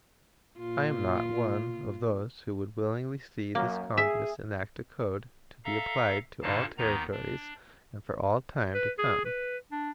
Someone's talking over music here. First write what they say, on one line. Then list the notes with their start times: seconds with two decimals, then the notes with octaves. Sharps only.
I am not one of those who would willingly see this Congress enact a code to be applied to all Territories and for all time to come.
0.59 A#2 F4
3.55 F#2 A#3
3.98 G#4 E5
5.65 A4 E5 F5 A#5
6.42 G2 A#2 D3 D#4 F5 A5
6.78 D#2 D#3 B3 D#4 A#5
7.12 D4
8.74 B4
8.98 G#4
9.25 B4
9.72 D4